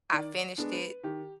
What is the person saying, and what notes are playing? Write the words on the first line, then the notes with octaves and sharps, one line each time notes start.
I finished it,
D#3 D5
G#3 B3 D4
B4
D#3 G4